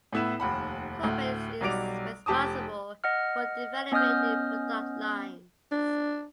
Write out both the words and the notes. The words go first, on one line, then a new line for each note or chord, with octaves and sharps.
Corbett is responsible for developing new product lines.
A2 B3 E4 B4 E7
F1 D#2 F#5 B5
D2 A2
B1 F#3 G3 D5 D7 F7
F1 G4 A5 D6 D#6
D#5 F#5 F6
B3 C#4 D#5 D#6 F6 G6
D4